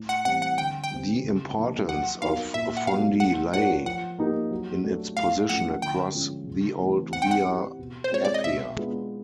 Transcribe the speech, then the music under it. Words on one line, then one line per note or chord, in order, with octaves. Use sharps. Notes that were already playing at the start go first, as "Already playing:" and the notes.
The importance of Fondi lay in its position across the old Via Appia.
Already playing: A2
F#5
E3 G3 C4 E4 F#5
F#5
D3 G5
G5
G3 C4
C#3
F3 A#3 D4
F#3 F#5
B3 D#4 F#4 A#4 F5
A#2 E5
F#5
F#3 B3 D4 G4 F5
A3 F#5
D4 F4 A#4 C#5 F#5
F3 F#5
A#3 D#4 G4 A#4
F#3
A3 D4 F#4 A4
A2 F5
F3 A3 C#4 F4 F#5
D3 G5
F3 G#3 C#4 F4
C#3
E3 A3 C4
C4 F#5
G5
F#5
E4 G4
B2
C5
G#3 C4 F4 C#5
D5
D#5
B2 E5
G#3 B3 D4 F4